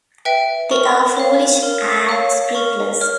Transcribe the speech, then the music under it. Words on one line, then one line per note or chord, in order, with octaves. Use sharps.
They are foolish and spiritless.
B4 E5 G5
A#4 C#6
C#5 F5
A#4
C#5 F5
A#4 C#6
C#5 F6